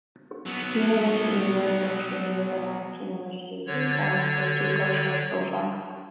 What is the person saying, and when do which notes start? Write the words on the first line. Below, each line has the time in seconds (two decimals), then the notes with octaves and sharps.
The University of Erfurt is a liberal arts university with reform and socio-cultural profile.
0.46 F#3 B3
3.66 D3 C#5